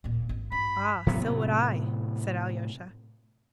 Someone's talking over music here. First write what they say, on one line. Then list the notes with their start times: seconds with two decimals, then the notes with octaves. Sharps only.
"Ah, so would I," said Alyosha.
0.04 D1 A#2
0.29 G#1
0.52 G2 B5
1.06 A2 C3 F#3 B3